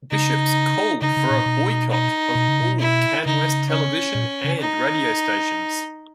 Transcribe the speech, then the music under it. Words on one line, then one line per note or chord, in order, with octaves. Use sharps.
Bishops called for a boycott of all CanWest television and radio stations.
C#3 D#4
C#3 D#4
C#3
A#2
B2
D#4
B2
C#3
B2
E4
C#3 D#4
C#4
A#2
C#3
D#4